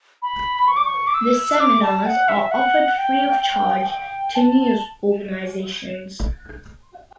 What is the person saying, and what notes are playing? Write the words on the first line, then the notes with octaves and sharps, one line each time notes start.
The seminars are offered free of charge to news organizations.
B5
C#6
D6
C#6
D6
E6
D6
A5
F#5
E5
F#5
G5
G5
G5
A5